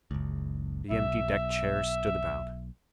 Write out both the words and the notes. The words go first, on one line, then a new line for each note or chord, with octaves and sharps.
The empty deck chairs stood about.
F#1 C#2
B1 E5